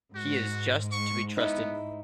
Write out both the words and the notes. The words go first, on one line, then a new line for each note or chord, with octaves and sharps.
He is just to be trusted.
G#2 F#4
C#6
B3 D#4 E4